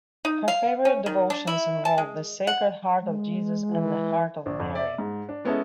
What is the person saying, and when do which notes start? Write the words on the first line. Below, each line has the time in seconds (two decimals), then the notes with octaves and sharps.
Her favorite devotions involved the Sacred Heart of Jesus and the Heart of Mary.
0.25 D#4
0.48 F5
0.85 C#4
1.06 D#3
1.30 D4
1.47 E4
1.85 A5
1.98 G#3
2.47 F#5
3.00 G#3
3.71 E3
4.46 A#1 D4
4.60 F2
4.75 D5 E5
4.98 G#2
5.29 D4
5.45 G#3 B3 C#4 E4 A4 D#5